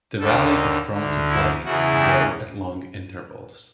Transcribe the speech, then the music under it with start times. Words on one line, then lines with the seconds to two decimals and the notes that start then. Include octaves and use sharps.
The valley is prone to flooding, though at long intervals.
0.20 D#2 D3 A4
0.55 D#4
0.92 D2 D3
1.29 E4
1.65 E2 C#3 E3 F#4
2.01 G4